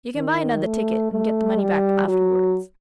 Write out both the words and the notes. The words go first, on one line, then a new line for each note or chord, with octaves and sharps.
"You can buy another ticket, and get the money back afterwards."
D#3
A3
A3
G3
F#3